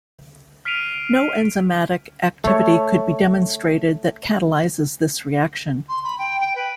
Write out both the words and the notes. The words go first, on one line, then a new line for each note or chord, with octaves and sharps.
No enzymatic activity could be demonstrated that catalyzes this reaction.
F6 B6 C7 D7 D#7 F7
A3 C#5
C6
B5
G5
G5
B4